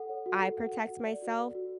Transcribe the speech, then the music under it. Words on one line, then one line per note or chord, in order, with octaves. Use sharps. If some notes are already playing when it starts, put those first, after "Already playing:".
I protect myself.
Already playing: A4 F#5
C#5
F#4
A4
F#5
A4
F#4
D5
F#4
A4
F#4